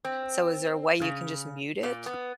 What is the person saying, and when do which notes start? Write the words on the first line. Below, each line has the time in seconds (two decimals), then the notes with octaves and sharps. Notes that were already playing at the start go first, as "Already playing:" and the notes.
So, is there a way you can just mute it?
0.05 C4
1.02 C#3
1.83 A#2
2.06 B3